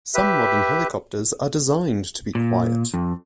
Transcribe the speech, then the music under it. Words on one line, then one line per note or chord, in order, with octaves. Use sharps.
Some modern helicopters are designed to be quiet.
G4 B4 E5
A#2
F2